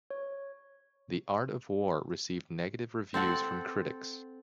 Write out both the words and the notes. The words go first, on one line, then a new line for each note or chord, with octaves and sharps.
"The Art of War" received negative reviews from critics.
C#5
C4 A4 F#5